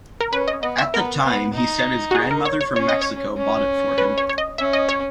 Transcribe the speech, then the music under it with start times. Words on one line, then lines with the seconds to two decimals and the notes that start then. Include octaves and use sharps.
At the time he said his grandmother from Mexico bought it for him.
0.20 A#4
0.32 C#4 B4
0.48 D#5
0.63 B3 D#5
0.78 E5
0.93 B3 A#4
1.24 B3
1.55 D#4
2.11 F#4
2.15 G#4
2.31 A#4
2.45 C#5
2.61 C#5
2.76 C#4 C#5
2.89 D#5
3.02 C#5
3.37 C#4
3.98 B4
4.18 C#5
4.29 C#5
4.38 D#5
4.58 C#4 E5
4.73 D#5
4.89 C#5